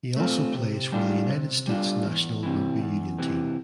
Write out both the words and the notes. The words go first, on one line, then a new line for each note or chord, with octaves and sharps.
He also plays for the United States national rugby union team.
A3 C4 F4
C3
G3 D4 F4
C3
G3 D4 F4
E2
C3 E3
E2
C3 E3